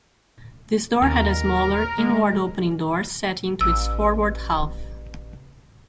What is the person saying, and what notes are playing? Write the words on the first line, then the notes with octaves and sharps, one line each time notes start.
This door had a smaller, inward-opening door set into its forward half.
D#2 A#4
G#3
A1 E6